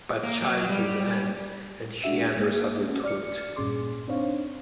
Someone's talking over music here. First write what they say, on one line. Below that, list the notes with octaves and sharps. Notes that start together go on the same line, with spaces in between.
But childhood ends and she enters adulthood.
A#3
F#3
G3
G#3 D4 F#4 E5
G#3 A#3
A3 C#4 F#4
D5 F6 C#7
G2 A#2 C#4 G#4 C6 D6
C4 D4 D#4 C5 C#5 F5